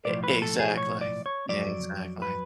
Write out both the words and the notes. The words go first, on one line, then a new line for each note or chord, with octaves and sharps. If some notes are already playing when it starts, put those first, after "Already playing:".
Ex exactly. Yeah, exactly.
B1 A2 F3 D5
B4
A4
G#4
C#5
D5
C#5
F2 C#3 F#3 D5
B4